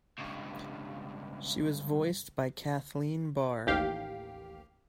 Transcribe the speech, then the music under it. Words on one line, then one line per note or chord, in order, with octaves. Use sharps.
She was voiced by Kathleen Barr.
C#2 G2
A1 D#2 G4 F5